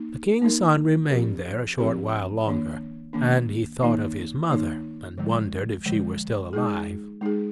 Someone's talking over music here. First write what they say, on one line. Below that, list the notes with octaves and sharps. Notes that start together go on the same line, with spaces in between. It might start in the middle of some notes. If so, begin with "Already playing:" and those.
The king's son remained there a short while longer, and he thought of his mother, and wondered if she were still alive.
Already playing: A#3 D#4
A#3 D#4 A#4
F3 C4 G4 A#4
F3 C4 G4 A#4
D#3 A#3 D4
D#3 A#3 D4
D#3 A#3 D#4
D#3 A#3 D#4
D3 F3 G#3
D3 F3 G#3
G#3 D#4 G#4
G#3 D#4 G#4